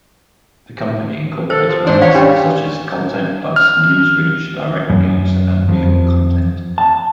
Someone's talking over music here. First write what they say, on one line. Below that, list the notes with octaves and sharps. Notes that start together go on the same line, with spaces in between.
The company incorporates brands such as Content Plus, NewsReach, DirectNews and ReelContent.
A4 C5
F3
G#2 D4 C5
C#5 F5
G3 C#4 D4
F6
F#2
F2
A5